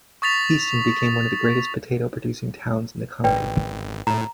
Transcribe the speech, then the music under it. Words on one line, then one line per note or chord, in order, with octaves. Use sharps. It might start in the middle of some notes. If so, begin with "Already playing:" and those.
Easton became one of the greatest potato producing towns in the County.
C#6 D#6 A6 B6 F7
G#1 B4 D5 G5
A2 A#5